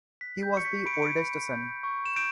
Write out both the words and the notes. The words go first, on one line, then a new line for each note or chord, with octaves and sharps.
He was the oldest son.
F#6 B6
G6
C#6 C#7
B6
B5 D7
C#7
D7
B5
G6
C#6
E7
G6 D7